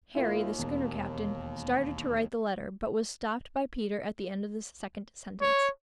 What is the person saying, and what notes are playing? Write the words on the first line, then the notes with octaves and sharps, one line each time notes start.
Harry, the schooner captain, started to write the letter, but was stopped by Peter at the end of the second sentence.
D#2 E4 F4 A#4
E1
C#5